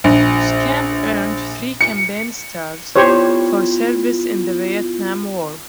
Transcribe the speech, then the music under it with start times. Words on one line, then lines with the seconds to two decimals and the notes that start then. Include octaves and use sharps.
"Scamp" earned three campaign stars for service in the Vietnam War.
0.04 A#1
1.81 C#7
2.96 B3 E4 F4 G4 C5 C#5